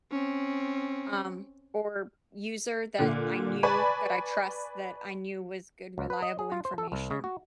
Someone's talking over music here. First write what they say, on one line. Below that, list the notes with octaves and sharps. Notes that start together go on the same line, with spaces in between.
um, or user that I knew that I trust, that I knew was good reliable information,
C4 C#4
A#2 D3
B4 D5 G#5 A5 B5 C#6
C#2
B4
D#5
G#4
F4
C5
A4
C2
C#3
F#4